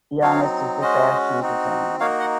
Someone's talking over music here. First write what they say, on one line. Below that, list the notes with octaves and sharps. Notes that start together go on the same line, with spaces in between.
Yannis is a fashion designer.
F#3 C4 D#4 C#5 F5
G#3 C#4 F#4 C5 D#5
C4 D#4 F#4
A#3 D#4 F#4 C#5 F5
D#5 F#5